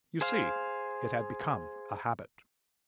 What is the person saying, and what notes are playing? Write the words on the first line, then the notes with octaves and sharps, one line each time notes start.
You see, it had become a habit.
G#4 C5 F5